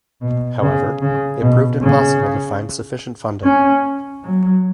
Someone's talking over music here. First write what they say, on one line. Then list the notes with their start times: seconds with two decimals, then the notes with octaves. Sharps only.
However, it proved impossible to find sufficient funding.
0.21 B2
0.62 C#3
1.02 C#3
1.42 B2
1.82 C#3
3.44 C#4
4.24 F#3